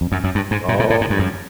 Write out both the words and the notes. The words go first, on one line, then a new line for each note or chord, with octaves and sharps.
Oh, man.
F2
F#2
F#2
G2
G#2
A#2
A#2
A2
G#2
G2
F#2